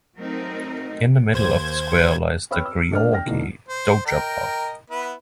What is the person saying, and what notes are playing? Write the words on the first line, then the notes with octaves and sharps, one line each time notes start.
In the middle of the square lies the Gheorghe Doja Park.
F#3 A3 C4 D#4 A#4 D#5
D#2 C5 G#6
B4 C#5 G5 B5 E6 F6
E6
A3 D4 D5 D#5 F6
G5 F6 A#6
B2 D3 E3 A3 D4 D#4
C5
A#4 D#5 G5
B3 E4 B4